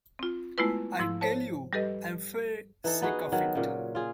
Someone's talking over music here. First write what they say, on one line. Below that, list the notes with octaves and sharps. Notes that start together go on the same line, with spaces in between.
I tell you I’m fair sick of it.
C4 F4
G#3 A3 B3 E4 F4 B4
G#2 F3 E4 C6
C5 C#5 A5
G3 G4 A4 B4 D#5
E3 D#4 A4
B3 D#4 F#4 G#4
D#3 F#3
A#2 C#3
F4 G#4